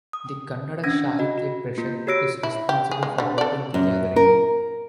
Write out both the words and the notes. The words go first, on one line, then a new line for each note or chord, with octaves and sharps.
The Kannada Sahitya Parishat is responsible for holding the gathering.
D#6
C#4 D4 G#6 A#6
F#4 D#5
F#4
A#3 F4
F#4 G4 C#5 E6 A#6 D7
E4
G4
G#4
G#3
D3 G3
A4 D5
F#2
A#4